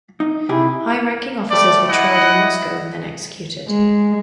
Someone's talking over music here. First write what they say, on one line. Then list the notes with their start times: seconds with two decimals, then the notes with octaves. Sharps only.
High-ranking officers were tried in Moscow, and then executed.
0.20 D#4
0.49 C3 E4 G4 G#4
1.49 G3 A3 D5
1.87 E4 D#5 F#5
3.68 G#3